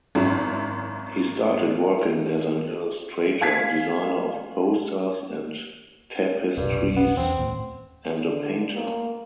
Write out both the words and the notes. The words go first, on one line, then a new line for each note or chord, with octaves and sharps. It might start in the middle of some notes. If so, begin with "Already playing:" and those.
He started working as an illustrator, designer of posters and tapestries and a painter.
G#1 F#2 E4
F5 G#5 G#6 A6 B6 C7
F1 B1 G2
B3
E2 C4
D#2 A2
D3
A#3